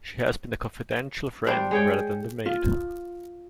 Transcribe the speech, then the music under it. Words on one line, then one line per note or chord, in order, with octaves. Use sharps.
She has been the confidential friend rather than the maid.
G3 D4 C5
G#3 C#5 G5
F4